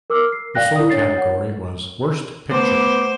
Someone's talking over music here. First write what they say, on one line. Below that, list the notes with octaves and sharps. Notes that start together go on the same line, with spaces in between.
The sole category was Worst Picture.
A#4 D6 E6 F6
C7
D5 F5 G5 F#6 A#6
E4 A#4 D#6
D4 C#5 A6 C7
C#5 F#5
A3 B3 C5 D6